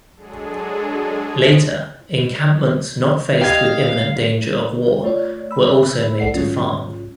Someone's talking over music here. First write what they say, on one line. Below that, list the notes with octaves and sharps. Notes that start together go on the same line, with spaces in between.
Later, encampments not faced with imminent danger of war were also made to farm.
F#3 G#3 D4 G#4 A4
G4 D#5 F5 G5 G#6
A3 F4 C#5 D5
B5 E6
B1 A4 D5 F#5 C7
G#2 F#3 G#3 C#4 F4